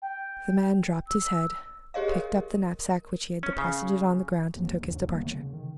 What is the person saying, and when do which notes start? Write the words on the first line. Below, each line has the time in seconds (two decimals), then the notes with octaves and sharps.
The man dropped his head, picked up the knapsack which he had deposited on the ground, and took his departure.
0.02 G5
1.08 E6
1.94 G4 G#4 C#5 D#5 F5
2.08 A#4
3.43 C#4
3.58 C#3
4.54 B1 F#2 A#3
4.83 D#2 G#2 C#3
5.10 F#3 G3 A#3
5.23 D#3 B3
5.34 C#3
5.53 D#3